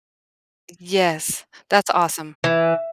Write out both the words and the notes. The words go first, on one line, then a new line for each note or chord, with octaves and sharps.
Yes, that's awesome.
E3